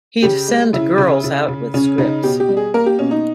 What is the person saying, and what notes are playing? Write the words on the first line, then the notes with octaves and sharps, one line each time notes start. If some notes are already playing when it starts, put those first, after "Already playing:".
He'd send girls out with scripts.
C#3 G4
G#3
C#3 E4
C#3
C#3
C#3
C#3 C#4
C#3 D#4
B2 G4
G4
G3
G#4
A#3 A#4
G4
B2 C#4
D#4